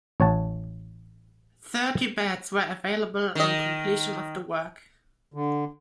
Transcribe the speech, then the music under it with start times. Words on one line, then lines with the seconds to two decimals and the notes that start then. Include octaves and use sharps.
Thirty beds were available on completion of the work.
0.20 A1 C#5 F#5 A5
3.35 D#3 D#5
5.34 D3